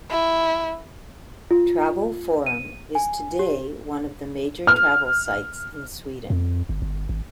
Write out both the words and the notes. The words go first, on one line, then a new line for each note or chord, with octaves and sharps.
Travel Forum is today one of the major travel sites in Sweden.
E4
F4
D#7
G#5
G4
F6
F2
G1
G1
G#1